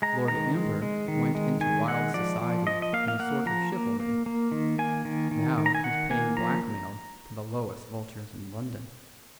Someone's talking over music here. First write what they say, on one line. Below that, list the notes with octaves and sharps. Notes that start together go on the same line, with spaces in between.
Lord Amber went into wild society in a sort of chivalry; now he's paying blackmail to the lowest vultures in London.
G#3 A#5
D#3 A#5
G#3
G#3
D#3
G#3
D#3 G#5
G#3 F#5
F3 D5
F3
F3 D#5
D#5
A#3 F5
F5
A#3 F#5
F3 A#5
A#3
A#3
A#3
D#3
A#3 G#5
D#3
D#3
D#3
A#5
G#5
D#3 F#5
A#3 G#5
F3 A#5